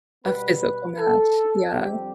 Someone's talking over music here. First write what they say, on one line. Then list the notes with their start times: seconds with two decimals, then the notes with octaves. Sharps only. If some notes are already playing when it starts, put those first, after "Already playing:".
a physical match, yeah.
0.24 B2 G3 B3 B4
0.61 B4
0.99 A4
1.74 F2 D3 G3 C4 G4